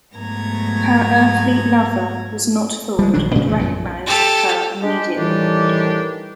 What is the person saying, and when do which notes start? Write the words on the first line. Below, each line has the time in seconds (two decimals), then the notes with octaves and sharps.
Her earthly lover was not fooled and recognized her immediately.
0.16 G#2 F#3 A3 B3 A#5 G#6
2.99 G3 G#3
3.14 A#1 D#3 F#3 D4
3.35 A#2 C#3 A#3
3.48 C#2 E3 A3
3.59 B1 F#2 A#2
4.06 G4 A4
4.83 G#3 D4 G4
5.16 A2 D#3 E3 G3 D4 G4